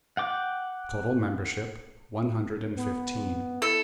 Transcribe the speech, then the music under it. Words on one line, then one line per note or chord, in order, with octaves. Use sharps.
Total membership, one hundred and fifteen.
F#5 G5 D6
B3
E4 A4